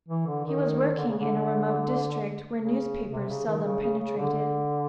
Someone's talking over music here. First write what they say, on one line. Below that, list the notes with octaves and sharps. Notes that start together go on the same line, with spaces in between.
He was working in a remote district where newspapers seldom penetrated.
E3
D3
D#3
D3
C#3
D3
C#3
C3
C#3
D#3
C#3
C#3
C#3
D3